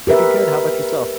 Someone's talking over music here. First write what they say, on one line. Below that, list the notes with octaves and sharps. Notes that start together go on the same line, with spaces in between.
Pretty good. How about yourself?
G4 A#4 B4 E5